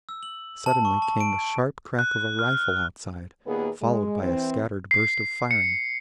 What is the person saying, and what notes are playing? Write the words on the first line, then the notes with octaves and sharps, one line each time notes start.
Suddenly came the sharp crack of a rifle outside, followed by a scattered burst of firing.
E6
F#7
A5
C#6
A5
D7
F#6
F6
D#2 A#2 A#3 B3 G#4 B4
G#3
E3 C4
C7
C#7